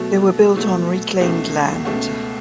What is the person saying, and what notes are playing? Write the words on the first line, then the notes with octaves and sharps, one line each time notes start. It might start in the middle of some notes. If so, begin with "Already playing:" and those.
They were built on reclaimed land.
Already playing: B2 F#3 A3
B2 F#3 A3
C#2 B2 A3
C#2 B2 A3